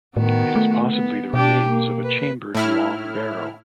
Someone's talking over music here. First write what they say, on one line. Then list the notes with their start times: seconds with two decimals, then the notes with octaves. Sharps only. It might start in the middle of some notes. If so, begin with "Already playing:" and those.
It is possibly the remains of a chambered long barrow.
0.17 A2 D#3 B3 F#4
0.55 A3
0.92 B3
1.34 B2 D4 G4
1.68 A#3
2.03 B4
2.55 A2 E4 F6